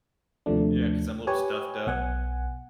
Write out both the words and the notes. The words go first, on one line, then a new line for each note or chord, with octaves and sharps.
Yeah, 'cause I'm a little stuffed up.
D#2 C3 F3 A3 D4
G4 B4 C#5 G#5
B1 B3 F#5 G#5